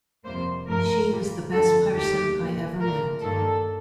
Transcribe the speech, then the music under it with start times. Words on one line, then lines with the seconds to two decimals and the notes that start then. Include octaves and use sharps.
She was the best person I ever met.
0.25 F2 C3 G3 A#3 C5
0.67 G2 F3 A3 A#4
1.10 A#2 G3 A#3
1.53 F2 D3 F3 A3 A4
1.95 D#2 D#3 A3 G4
2.38 A#2 F3 A#3
2.80 A#2 A3 A#4
3.23 G2 D#3 A#3 A4